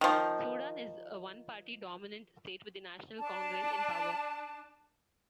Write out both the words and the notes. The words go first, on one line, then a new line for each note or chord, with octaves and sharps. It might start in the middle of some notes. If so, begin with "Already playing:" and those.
Sudan is a one party dominant state with the National Congress in power.
D#3 F3
D4 A5